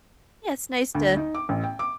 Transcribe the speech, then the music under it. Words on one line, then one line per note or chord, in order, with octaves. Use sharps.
Yeah, it's nice to
D2
D#4
D6
A1
G5
D6